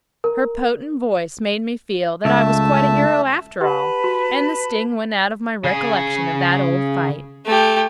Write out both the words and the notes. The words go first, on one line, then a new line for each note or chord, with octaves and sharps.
Her potent voice made me feel that I was quite a hero after all, and the sting went out of my recollection of that old fight.
A#4
C#2 A3 E5 A5
G4 B4 F#5 A5 B5
F#4
C#3 G#4
A3 G4